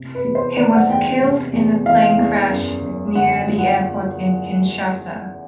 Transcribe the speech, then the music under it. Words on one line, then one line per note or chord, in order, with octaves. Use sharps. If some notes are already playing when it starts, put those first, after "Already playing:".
He was killed in a plane crash near the airport in Kinshasa.
Already playing: C3
B4
E2
C5
D#3 D5
F#5
E2 G5
C3
E2
E3 F5
E2
F#2
F#1
D3 F#5
F3
F#5